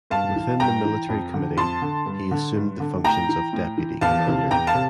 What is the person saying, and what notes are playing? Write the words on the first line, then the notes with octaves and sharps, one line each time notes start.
Within the military committee he assumed the functions of deputy commander.
G2 F5 A5
E3
G2 G5 A#5
E3
F2
D3
F2 A5 C6
D3
G2
D3
G2
D3
A2 G5 A#5
E3
A2
E3
E2 F5 A5
C3 E3
E2 G5 A#5
F5 A5
C3